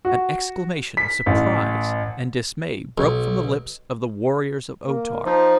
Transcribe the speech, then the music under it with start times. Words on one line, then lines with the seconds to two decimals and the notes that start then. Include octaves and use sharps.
An exclamation of surprise and dismay broke from the lips of the warriors of O-Tar.
0.05 F#4
0.97 B6
1.26 A1
2.98 B1
4.87 A#3
5.25 F3 D#4 C5